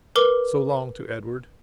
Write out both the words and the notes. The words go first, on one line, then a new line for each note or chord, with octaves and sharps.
"So long," to Edward.
A#4 B4 D6 G7